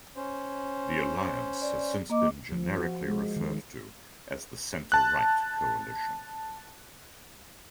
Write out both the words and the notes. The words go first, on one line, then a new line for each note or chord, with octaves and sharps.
The alliance has since been generically referred to as the centre-right coalition.
C#4 C5
D5
A#3 D#5 D6
F3
F#4
G#3
D#3
A5 F#6